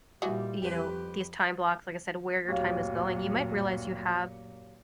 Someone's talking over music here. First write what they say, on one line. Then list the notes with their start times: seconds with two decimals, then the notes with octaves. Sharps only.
you know, these time blocks, like I said, where your time is going, you might realize you have,
0.22 A#2 E3 G3 F#4 D#5
0.62 F2 G4 B4
2.49 D1 F#2 A#2 G4 C#5 F5